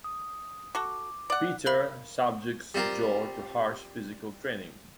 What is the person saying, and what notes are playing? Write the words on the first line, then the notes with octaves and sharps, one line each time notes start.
Peter subjects Joe to harsh physical training.
D#6
F#4 A4 D6
D5 F#5
A#4 F5 B5 F#7
G3 C4 F4 A#4